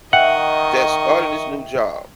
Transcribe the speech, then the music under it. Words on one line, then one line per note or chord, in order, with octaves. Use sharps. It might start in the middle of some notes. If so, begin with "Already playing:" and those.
that's starting this new job
D#3 D#5 E5 F#5 G5 C#6